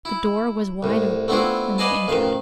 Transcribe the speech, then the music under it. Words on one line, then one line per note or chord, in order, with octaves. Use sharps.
The door was wide open, and they entered.
E4
C2 A2
A3 B3 C4 D4 E4 F4
B4 D5 D#5 F5 G#5 A5
A1 F2 D#3 F5